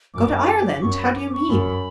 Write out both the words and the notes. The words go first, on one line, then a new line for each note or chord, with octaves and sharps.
"Go to Ireland!--How do you mean?"
F#2 D6
F#2 C#6
B5
D6
C#6
F#2 B5